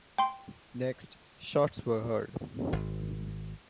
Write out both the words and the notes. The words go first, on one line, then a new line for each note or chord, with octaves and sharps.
Next, shots were heard.
G5 C6
G#1